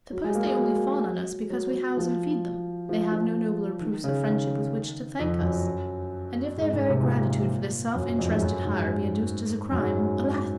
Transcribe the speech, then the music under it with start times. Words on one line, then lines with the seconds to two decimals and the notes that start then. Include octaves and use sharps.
Suppose they only fawn on us because we house and feed them, they have no nobler proofs of friendship with which to thank us; and if their very gratitude for this self-interested hire be adduced as a crime, alas!
0.12 F#3
0.24 G#3
0.35 A#3
0.47 G#3
0.58 F#3
1.50 F#3
1.73 F#3
1.97 F3
2.89 F3
3.12 F3
3.81 D#3
4.04 C#3
4.26 D#3
5.19 F2
5.41 F#2
6.57 G#2
6.73 G#2
6.88 C3
7.03 A#2
7.95 F#2
8.18 F2
8.31 G#2
8.42 F#2
8.65 G#2
9.72 F#2
9.79 G#2